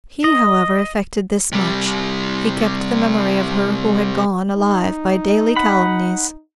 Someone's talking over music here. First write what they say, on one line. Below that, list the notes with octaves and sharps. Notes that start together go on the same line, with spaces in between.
He, however, effected this much: he kept the memory of her who had gone, alive by daily calumnies.
D#5
C3 G3
D#4
F#5 B5